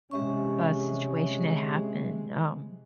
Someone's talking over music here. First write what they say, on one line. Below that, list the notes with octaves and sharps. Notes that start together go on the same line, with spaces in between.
uh, situation that happened, um,
C3 E3 G#3 C#4 G4 E5 C#6